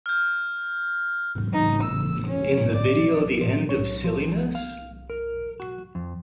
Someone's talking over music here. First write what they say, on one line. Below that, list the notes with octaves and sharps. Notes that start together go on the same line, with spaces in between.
In the video The End of Silliness?
F6 G6
D#4
E6
C#4
D5
F3
C#5
F3
F5
A#4
F#4
F2